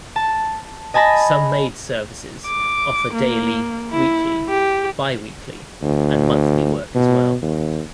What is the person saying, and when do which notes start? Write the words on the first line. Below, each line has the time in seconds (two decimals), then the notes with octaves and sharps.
Some maid services offer daily, weekly, bi-weekly, and monthly work as well.
0.16 A5
0.94 D#5 G#5 A5 B5 A#6
2.47 D6
3.14 A#3
3.90 E4
4.49 G4
5.82 D2
6.95 B2
7.42 D#2